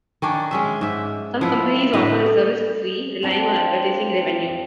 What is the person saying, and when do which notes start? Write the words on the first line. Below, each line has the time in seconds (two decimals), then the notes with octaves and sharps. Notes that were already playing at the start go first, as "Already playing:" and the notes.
Some companies offer the service for free, relying on advertising revenue.
0.22 D#3 C#4 D4
0.51 G#3 C#4 E5
0.81 G#2 E5
1.41 F3 E4
1.93 A2 D3 B4 D#5
2.26 A4
3.23 C4 D4 F4